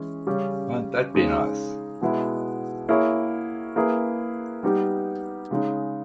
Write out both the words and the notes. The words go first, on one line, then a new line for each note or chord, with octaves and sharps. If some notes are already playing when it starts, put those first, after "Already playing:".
Won't that be nice?
Already playing: E3 G#3 C#4
C#3 G3 C#4 G4
C#3 G#3 D#4 G#4
B2 G#3 B3 E4
A#3 E4 G#4 C#5
A#3 E4 G#4 B4
G3 B3 D#4 G4
C#3 G#3 D#4